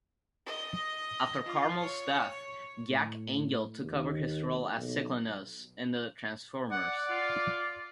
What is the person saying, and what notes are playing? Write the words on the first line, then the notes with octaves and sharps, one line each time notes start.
After Carmel's death, Jack Angel took over his role as Cyclonus in "The Transformers".
D#5
F4
C#5
A2
D#2
B1
D5 F#5
F4